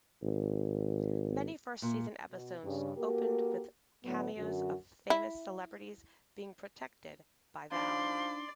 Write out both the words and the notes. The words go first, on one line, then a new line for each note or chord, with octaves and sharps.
Many first season episodes opened with cameos of famous celebrities being protected by Vallery.
G#1
A#2
B2
G2 C#3
A#3 F#4 G4 A4 A#4
A2 D3 F#3 B3
F#2 D3 F#4
E4
F3 D4 D#4 D5 B5 C6